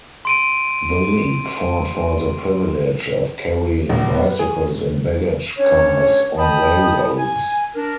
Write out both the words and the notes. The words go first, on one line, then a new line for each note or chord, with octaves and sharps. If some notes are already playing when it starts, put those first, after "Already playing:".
The League fought for the privilege of carrying bicycles in baggage cars on railroads.
C6 D7 D#7
A#1
B3
G#4
C#4 D4 C#5
D#5 G5 A5 B5 D#6
G#5
D4 A#4